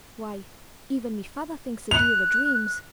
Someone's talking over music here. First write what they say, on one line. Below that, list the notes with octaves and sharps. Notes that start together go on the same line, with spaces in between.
Why, even my father thinks a deal o' dreams!
F#6 F7